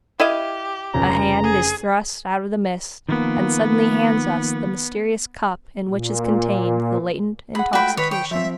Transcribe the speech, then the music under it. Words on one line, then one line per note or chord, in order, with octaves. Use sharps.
A hand is thrust out of the mist, and suddenly hands us the mysterious cup in which is contained the latent intoxication.
E4 G4 D#5 F5
F1 C#3 A#5
G#4
D#3 F3 A#3 B3
A#2
G#4 F#5 B5
G#3 A3 F4 F#4 G5 B5
D#3 B4 C#5
C#5 G5
F3 C4 E5